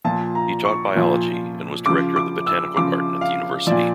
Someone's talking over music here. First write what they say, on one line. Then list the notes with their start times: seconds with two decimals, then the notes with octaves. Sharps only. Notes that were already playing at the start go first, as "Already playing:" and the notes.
He taught biology and was director of the botanical garden at the university.
0.05 A#2 F3 A5
0.35 A#5
0.65 C#6
0.95 A#2 F3
1.86 C#3 F3 D6
2.16 D6
2.46 E6
2.77 C#3 F3 D6
3.21 F5
3.67 A#2 F3 D5